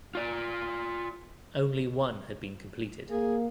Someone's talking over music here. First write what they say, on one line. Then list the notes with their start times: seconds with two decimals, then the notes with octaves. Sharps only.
Only one had been completed.
0.15 F4 D5
3.10 A#3 G#4